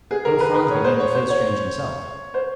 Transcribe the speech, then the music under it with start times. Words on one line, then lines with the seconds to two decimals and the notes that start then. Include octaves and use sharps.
Little Franz began to feel strange himself.
0.11 G#4
0.25 A#4
0.40 B4
0.55 B4
0.71 C#5
0.84 C5
1.00 C#5
1.15 C5
1.30 C#5
2.34 C5